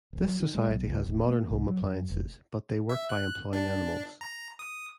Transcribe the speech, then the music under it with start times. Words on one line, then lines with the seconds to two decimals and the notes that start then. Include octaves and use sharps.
This society has modern home appliances, but they work by employing animals.
0.13 D1
0.25 F#3
0.40 D#3
0.55 G#3
0.66 B1
0.87 C#2
1.04 D#1
1.26 A#3
1.51 C2
1.67 F#3
1.81 F#2
2.10 F1
2.89 E5
3.09 F#6
3.53 D4
4.21 A#5
4.59 D#6